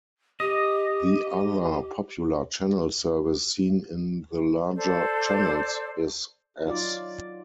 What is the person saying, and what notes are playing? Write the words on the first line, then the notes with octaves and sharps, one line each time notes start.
The other popular channel service seen in the larger channels is 'S'.
G4 D#5
A4 C5 D5
F#3 D#4 F4 D5